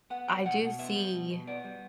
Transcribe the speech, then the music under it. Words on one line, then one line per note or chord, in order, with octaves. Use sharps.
I do see,
B3 F#5
G3 G5
B2 F#5
B2
B3 E5
G3
B2
B2
B3 D5
G3